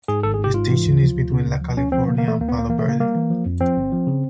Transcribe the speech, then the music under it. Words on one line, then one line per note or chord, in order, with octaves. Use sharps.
The station is between La California and Palo Verde.
G#2 G#4
G#1 A4
G#4
G#2
G4
G#2 F4
E3
D2
F3
D2
C#3
D2
F3
D2 C#4
F3 C4
C#3 A#3
A#3
E3
A3
D2 A#3
B3
D2
A#3
E3 A#3
A3
C#3 A#3
G3 A#3
E3
F3
F2
F3 C4
G1
F3
C#3